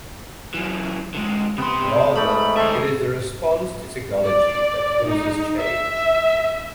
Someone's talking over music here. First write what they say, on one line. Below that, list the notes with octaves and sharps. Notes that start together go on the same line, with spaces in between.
Rather, it is the "response" to technology that causes change.
F#2 E3
D3 G#3
C3 B3 C6
G#2 A3 B5
D#3 A4 E5 G#5 C6
D5
D#4
E5